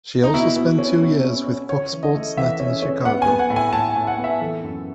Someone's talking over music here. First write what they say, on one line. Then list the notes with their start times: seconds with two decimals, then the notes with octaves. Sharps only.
She also spent two years with Fox Sports Net in Chicago.
0.24 D#4
0.34 B2 E4
0.56 B2
0.79 C#4
1.02 B2
1.24 C#4
1.47 C#4
1.69 C#3 C#5
1.92 E3
2.03 D#5
2.15 A3
2.37 E3 E5
2.60 C#4
2.82 C#4
3.05 B3 F#5
3.22 G#5
3.27 B3
3.39 F#5
3.50 A2
3.56 G#5
3.73 A2 A5
3.96 A2
4.07 F#5
4.18 B3
4.24 E5
4.41 E3 A4
4.63 F#2